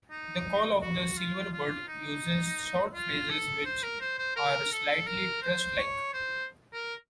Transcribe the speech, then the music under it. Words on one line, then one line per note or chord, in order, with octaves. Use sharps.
The call of the silverbird uses short phrases which are slightly thrush-like.
D#4
F#4
F4
F4
D#4
F4
A4
C5
A#4
C5
C5
A#4
A4
A#4
C5
C#5
C5
A#4